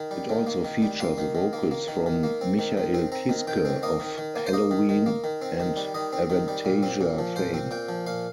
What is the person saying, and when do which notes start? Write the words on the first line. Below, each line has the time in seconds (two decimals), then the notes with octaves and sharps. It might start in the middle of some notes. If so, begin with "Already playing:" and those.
It also features vocals from Michael Kiske of Helloween and Avantasia fame.
Already playing: D#3
0.11 G3
0.30 D#3
0.47 A#3
0.65 D#3
0.82 G3
1.00 A#3 C6
1.18 D#3
1.35 D#3
1.53 A#3
1.71 A#3
1.88 D#3
2.06 D#3
2.23 A#3
2.41 C4
2.59 D#3
2.77 D#3
2.94 C4
3.12 C4 A#5
3.29 D#3
3.47 D#3 G5
3.65 C4
3.83 A#3 D#5
4.00 D#3
4.18 D#3
4.36 A#3
4.46 C5
4.53 A#3 D#5
4.71 D#3
4.89 D#3
5.06 A#3
5.24 D#3
5.42 C4
5.60 D#3
5.77 G3
5.94 D#3 D#5
6.13 C4
6.30 D#3
6.48 G3
6.65 A#2
6.83 C4
7.01 A#2
7.18 F3
7.36 A#2 C5
7.54 C4
7.71 A#2 G5
7.89 F3
8.07 A#2 F5